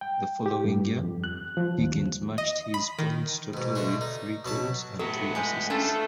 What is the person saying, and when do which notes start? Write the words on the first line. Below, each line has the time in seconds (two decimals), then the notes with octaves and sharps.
The following year, Higgins matched his points total with three goals and three assists.
0.01 G5
0.46 G4
0.65 G2
1.03 F2
1.24 F#6
1.57 F3
1.78 D#2
2.38 D#5
2.74 B5
2.99 D#3
3.54 G#2 B2
3.75 B2 D3 A3 D4
4.01 D#4
4.45 B2 F#3 A5 B5
4.99 A2 F#3 B3 A4
5.35 G#3 G4
5.70 A3 C#4 D4 E4 F4 A4